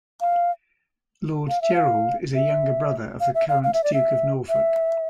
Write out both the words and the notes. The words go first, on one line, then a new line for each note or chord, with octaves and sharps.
Lord Gerald is a younger brother of the current Duke of Norfolk.
F5
F5
E5
F5
E5
F5
E5
F5
F5
E5
D5
E5
E5